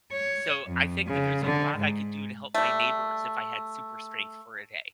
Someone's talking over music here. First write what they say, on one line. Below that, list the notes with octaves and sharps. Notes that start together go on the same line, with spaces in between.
so I think that there's a lot I could do to help my neighbors if I had super strength for a day.
C#5
F2
C#3
D3
G#2
G3 A3